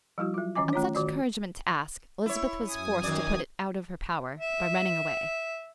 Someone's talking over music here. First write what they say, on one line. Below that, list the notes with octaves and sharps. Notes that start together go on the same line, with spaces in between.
On such encouragement to ask, Elizabeth was forced to put it out of her power, by running away.
F3 G3 E4 F#4
F#3 F4
D#3 E3 C#4 D#5 G#5 D6
A3 C#4 F4 C#5
D#3 F#4 D5
E4 C#5
F#2 G#5 D#6
D#3 F#3 D5
E5